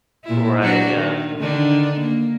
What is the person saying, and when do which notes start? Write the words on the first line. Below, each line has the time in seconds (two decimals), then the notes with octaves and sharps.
Right, yeah.
0.25 A#2 E4
0.62 F#3 D4 F#4
0.95 D#3
1.38 D3 D#3 D4
2.00 A#3